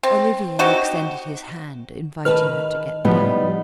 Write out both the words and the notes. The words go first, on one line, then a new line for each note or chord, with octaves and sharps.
Olivier extended his hand, inviting her to get down.
C4
C4 D#4 F#4 G4
D#3 B4 A5 F6
A2 F3 G3 B3 D#4